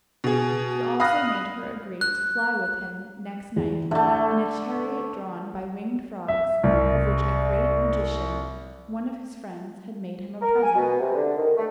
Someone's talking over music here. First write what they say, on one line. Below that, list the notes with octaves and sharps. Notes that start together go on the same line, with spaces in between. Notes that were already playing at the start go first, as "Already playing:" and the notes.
He also made her agree to fly with him next night, in a chariot drawn by winged frogs, of which a great magician, one of his friends, had made him a present.
B2 G#4
F5 B5 D#6 F6 F#6 A#6
F#6
E2
D3 A3 E5
E5
C2
A#4
G#5
B2
C3
D3
D#3
A3